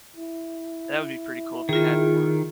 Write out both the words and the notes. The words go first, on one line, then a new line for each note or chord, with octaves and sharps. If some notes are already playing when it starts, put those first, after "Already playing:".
That would be pretty cool if they had more.
E4
D#3 F4 G#4